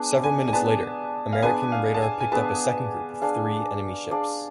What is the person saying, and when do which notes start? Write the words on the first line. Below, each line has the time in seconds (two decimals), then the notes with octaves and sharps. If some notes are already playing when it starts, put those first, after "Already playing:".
Several minutes later, American radar picked up a second group of three enemy ships.
Already playing: B3 D4 G#4 B4
0.24 G#5
0.48 G#5
0.53 B3 D4 G#4 B4 A5
1.33 F5
1.42 B3 D4 G#4 B4 G#5
1.72 F5
1.94 A5
2.02 G#5
2.20 G#5
2.32 B3 D4 G#4 B4 A5
3.21 D4 G#4 D5 F5
4.11 D4 G#4 D5 F5